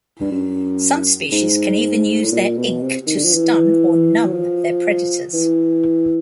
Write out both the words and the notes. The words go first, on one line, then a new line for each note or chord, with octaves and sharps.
Some species can even use their ink to stun or numb their predators.
G2
F#2
G#2
A2
A#2
B2
C3
D#3
D3
F3
E3
F#3
F3
E3